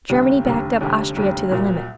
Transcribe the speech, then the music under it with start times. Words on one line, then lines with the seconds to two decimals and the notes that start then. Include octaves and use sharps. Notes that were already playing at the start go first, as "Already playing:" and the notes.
Germany backed up Austria to the limit.
0.09 F1 D#2 D3 G3
0.45 F1 D#2 D3 G3
0.80 F1 D#2 D3 G3
1.16 F1 D#2 D3 G3
1.51 C2 A#2 F#3